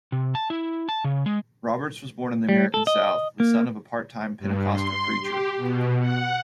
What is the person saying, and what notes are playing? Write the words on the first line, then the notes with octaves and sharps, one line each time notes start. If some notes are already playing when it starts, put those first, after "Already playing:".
Roberts was born in the American South, the son of a part-time Pentecostal preacher.
C3
A5
E4
A5
C#3
G#3
G3
A4
D#5
A#3
G2
C6
G4
B2
F#5